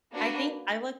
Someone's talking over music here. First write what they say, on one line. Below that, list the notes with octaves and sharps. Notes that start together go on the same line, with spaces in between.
I think I look
A#3 D4 F#4 B4